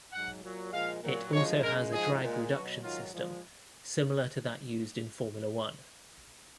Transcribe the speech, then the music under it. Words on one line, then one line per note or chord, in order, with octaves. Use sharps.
It also has a drag reduction system similar to that used in Formula One.
G#2 F#3 F#5
A#2 F#3
A#2 F3 G#3 F5
A#2 F#3
F#2 F3 G#3 C#5
F#2 C#3 G#3 A#4
G#2 F3 G#3 G#4
A#2 G#3
B2 F#3 F#4
G#2 D#3 F#3 F4
A#2 F3 G#3